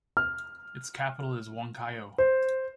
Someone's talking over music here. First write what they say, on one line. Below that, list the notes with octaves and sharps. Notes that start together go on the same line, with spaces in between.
Its capital is Huancayo.
F6
C5